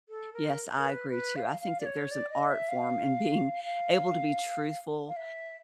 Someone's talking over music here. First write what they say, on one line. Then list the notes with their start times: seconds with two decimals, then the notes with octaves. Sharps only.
Yes, I agree too. I think that there's an art form in being able to be truthful
0.09 A4
0.33 A#4
0.78 A#4
0.84 B4
1.10 B4
1.36 F5
1.61 F5
1.80 D5
1.86 C#5
2.11 D5
2.30 D#5
2.50 E5
2.69 F5
3.64 F5
5.08 F5
5.16 E5